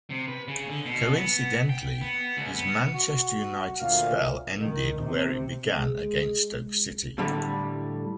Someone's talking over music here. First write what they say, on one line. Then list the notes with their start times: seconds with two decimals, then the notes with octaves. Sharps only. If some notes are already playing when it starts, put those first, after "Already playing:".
Coincidentally, his Manchester United spell ended where it began-against Stoke City.
0.10 C3
0.28 B4
0.48 C#3
0.69 D3
0.86 B2
1.15 B3
1.69 G5
2.01 B3
2.37 C#2
2.55 B3
2.94 F#4
3.80 D2 A#2 A#3 F6
4.58 D#3
5.01 C3
5.77 G#3
7.18 A2 D3 G3